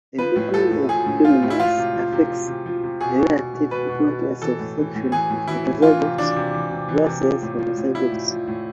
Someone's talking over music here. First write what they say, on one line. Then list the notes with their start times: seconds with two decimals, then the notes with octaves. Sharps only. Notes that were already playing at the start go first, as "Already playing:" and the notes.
The degree of dominance affects the relative importance of selection on heterozygotes versus homozygotes.
0.18 F3 B4
0.36 A2
0.54 F3 A4
0.71 A2
0.89 F3 G#4
1.06 A2
1.24 F3 F4
1.43 A2
1.50 E4
1.59 F3 F4
1.78 C3
1.95 F3
2.13 C3
2.30 F3
2.48 C3
2.66 F3
2.83 C3
3.01 B2 G#4
3.18 B2
3.36 B2
3.54 B2
3.71 B2 B4
3.89 B2
4.07 B2
4.24 B2
4.42 E3 A4
4.60 A2
4.77 E3
4.95 A2
5.12 E3 G#4
5.30 A2
5.48 E3 E4
5.65 A2
5.82 E3 F4
6.00 C3
6.18 E3 D4
6.36 C3
6.54 E3
6.71 C3
6.89 E3
7.06 C3
7.24 F3
7.42 A2
7.59 F3
7.77 A2
7.95 F3 E4
8.12 A2
8.30 F3
8.48 A2